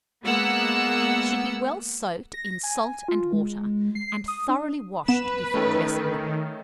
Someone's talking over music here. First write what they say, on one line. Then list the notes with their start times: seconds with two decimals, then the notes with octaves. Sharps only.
Should be well soaked in salt and water, and thoroughly washed before dressing them.
0.23 G#3 A#3 B3 F#5 E6
2.34 A#6
2.63 G#5
3.08 F4
3.33 G#3
3.95 C7
4.28 D#6
4.49 D4
5.08 B3 B4 E7
5.54 D#3 A3 C#4 A4